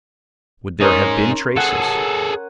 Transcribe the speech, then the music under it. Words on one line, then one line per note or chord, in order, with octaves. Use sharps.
"Would there have been traces?"
C#4 D#4 G#4 A#4 C6
G#4 A4 F#5 G#5